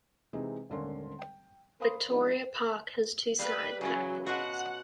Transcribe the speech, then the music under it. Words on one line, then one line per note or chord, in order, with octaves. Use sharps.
Victoria Park has two side platforms.
C3 E3 G#3 C4 D#4 G#4
D#1 G#1 D3 C#4 A#4 C6
G5
A#4 C5 F5 B5 C6 D#6
F3 G#3 C4 D4 D#4
G3 B4 F5
C#3 E3 F#3 C#4
B2 F4 F#4 F#5